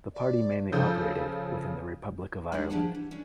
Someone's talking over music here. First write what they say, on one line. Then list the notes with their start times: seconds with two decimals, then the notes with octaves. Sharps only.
The party mainly operated within the Republic of Ireland.
0.14 D5
0.72 C#3 F3 A4 G6
2.52 G#3 A#3 D4 E4 G#4
2.70 F3 D4 G4 G#4 F#5 A5
2.95 E3
3.11 C#4 D4